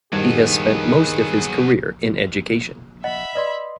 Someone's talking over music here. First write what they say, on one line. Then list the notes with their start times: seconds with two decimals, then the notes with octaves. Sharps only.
He has spent most of his career in education.
0.13 D#1 G2 D#3 F#3 B3 G#4 G#6
3.04 D#5 E5 F#5 B5
3.35 B4 D5 D#5 C6